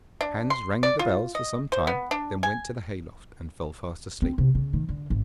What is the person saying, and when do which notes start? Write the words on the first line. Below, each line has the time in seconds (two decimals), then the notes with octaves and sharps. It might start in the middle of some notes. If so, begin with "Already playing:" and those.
Hans rang the bells for some time, then went to the hay-loft, and fell fast asleep.
0.21 D4
0.50 C6
0.83 D5
0.99 F4
1.35 D#5
1.72 C5
1.87 B3
2.11 D4
2.43 G#5
4.22 C4
4.38 C3
4.55 C#3
4.73 D#3
4.89 D3
5.10 G#1